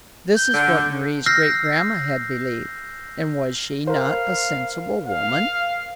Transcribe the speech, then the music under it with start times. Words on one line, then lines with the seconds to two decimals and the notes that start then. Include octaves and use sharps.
This is what Mari's great-grandma had believed, and was she not a sensible woman?
0.36 G6
0.54 D3
1.26 E6 F6 G6 A#6 C7
3.87 A#4 C5 F5
5.07 F5